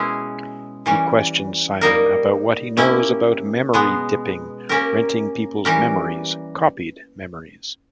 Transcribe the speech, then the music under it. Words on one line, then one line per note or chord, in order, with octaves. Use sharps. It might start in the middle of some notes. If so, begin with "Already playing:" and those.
He questions Simon about what he knows about "memory-dipping", renting people's memories, copied memories.
Already playing: B2 G#3 C#4 E4 G#4
E3 G3 C#4
G3 A#3 D#4 A#4
A#3 C#4 E4 G4
B2 G#3 B3
A#3 C#4 G4 A#4
E3 G3 C#4 G4 A#4